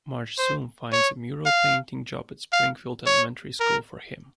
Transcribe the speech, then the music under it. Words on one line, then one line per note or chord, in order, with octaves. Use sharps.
Marge soon finds a mural-painting job at Springfield Elementary School for him.
C5
C#5
F5
F5
C#5
A#4